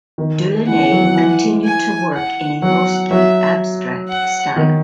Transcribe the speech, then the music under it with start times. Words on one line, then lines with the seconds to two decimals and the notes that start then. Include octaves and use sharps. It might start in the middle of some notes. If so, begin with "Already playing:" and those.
Delaunay continued to work in a mostly abstract style.
0.18 D#3
0.67 E3 F#5
0.79 E3
0.92 F#3
1.04 F#3
1.16 E3
1.64 G#5
2.13 F#5
2.62 F#3 F#5
3.11 F#3 E5
4.08 F#5
4.56 D#3